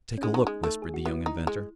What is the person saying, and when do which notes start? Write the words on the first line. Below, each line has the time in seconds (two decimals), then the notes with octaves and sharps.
"Take a look," whispered the young inventor.
0.18 C#4
0.23 G#3 D#4
0.34 F#3
0.47 G#3
0.64 A3
0.82 G#4
0.94 F#4
1.05 B3 E4
1.26 D#4
1.47 G#3